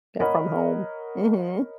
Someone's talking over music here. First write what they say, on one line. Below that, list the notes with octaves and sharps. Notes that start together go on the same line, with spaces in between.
Yeah, from home. Mhm.
A#4 C#5 D#5 F#5 A#5 B5